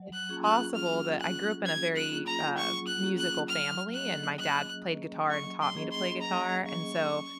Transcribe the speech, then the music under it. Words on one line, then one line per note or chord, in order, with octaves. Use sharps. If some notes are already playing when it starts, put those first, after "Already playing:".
it's possible that I grew up in a very, uh, musical family, and my dad played guitar and taught me to play guitar, and so
Already playing: F#3
F#6
A#3 C#4 F4 G#4
F#6
F#3 F6
A#3 C#4 F4 G#4 F#6
F#3 G#6
F#6
A#3 C#4 F4 G#4
A#5
F#3 C#6
F#6
A#3 C#4 F4 G#4
F#6
F#3 F6
A#3 C#4 G#4 D#5 F#6
F#3 F#6
A#3 C#4 G#4 D#5
F#3 C#6
C6
A#3 C#4 G#4 D#5
C6
F#3 A#5
A#3 C#4 G#4 D#5 C#6
C#4